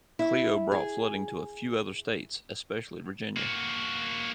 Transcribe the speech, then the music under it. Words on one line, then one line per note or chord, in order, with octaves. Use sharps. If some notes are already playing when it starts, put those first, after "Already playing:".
Cleo brought flooding to a few other states, especially Virginia.
E4
G#4
A#3 F#4